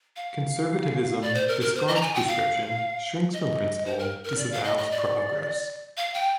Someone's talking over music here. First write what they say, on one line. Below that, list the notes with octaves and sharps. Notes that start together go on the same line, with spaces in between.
Conservatism discards prescription, shrinks from principle, disavows progress.
F5
D5
C5
A#4
A#4
C5
D#5
A#5
G#5
G5
F5
D#5
C5
A#4
A#4
D5
F5
D#5
D#5
D5
F5
G5